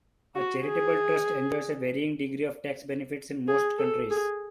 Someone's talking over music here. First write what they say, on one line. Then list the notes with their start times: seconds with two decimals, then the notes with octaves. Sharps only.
A charitable trust enjoys a varying degree of tax benefits in most countries.
0.35 F#4
0.66 G#4
3.48 G#4
3.78 A4
4.11 G#4